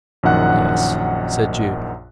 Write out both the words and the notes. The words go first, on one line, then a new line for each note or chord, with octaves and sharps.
"Yes," said Jude.
A#1 F#2 D#3 F#5 F#6